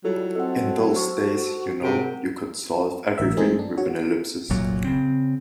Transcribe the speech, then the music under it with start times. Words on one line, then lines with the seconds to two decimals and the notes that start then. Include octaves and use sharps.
In those days, you know, you could solve everything with an ellipsis.
0.04 F#3 G3 E4 F4 A4 C#5
0.35 C4 A4 D#5 F#5
0.95 F#4 C5 C#6
1.83 C3 G#4 A#4 F#5 D7
3.18 A1 A#4 E5
3.37 G#3 A3 C4 D#4 G#4
3.59 D4
3.77 F#4 C#5
4.50 F1 C2 A#2 F#3
4.85 C#3 C4